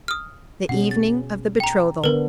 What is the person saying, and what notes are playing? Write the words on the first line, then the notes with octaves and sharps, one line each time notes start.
The Evening of the Betrothal.
D#6 F6
B2 C#4 G#4 F#5
A6
G5 A#5
D3 B3 D4 A#4 B4